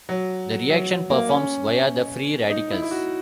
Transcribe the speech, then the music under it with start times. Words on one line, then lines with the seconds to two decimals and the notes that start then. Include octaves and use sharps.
The reaction performs via the free radicals.
0.09 F#3
0.70 F#3
1.10 A#3
1.29 C#4
2.50 D#4
2.71 E4
2.82 E4
2.91 F#4